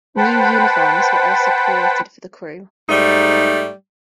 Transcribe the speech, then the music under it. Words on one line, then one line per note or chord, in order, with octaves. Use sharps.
New uniforms were also created for the crew.
B4 C5 F#5 G5 A5 B5
G#2 G3 A3 D#4